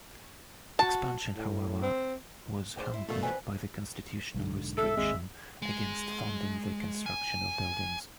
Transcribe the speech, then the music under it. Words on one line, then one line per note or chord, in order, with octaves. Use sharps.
Expansion, however, was hampered by the constitutional restriction against funding the construction of buildings.
F#4 A5
A2
C4
G#2 C5 D5
E4 E5 C6
B2 A3 A#3 D4 F4 A4
C3 E3 B3 C4 D4 B4 G#5
B1 G#2 D3
A4 E5
G#1 D#2 G#3 C4
G#3
G#5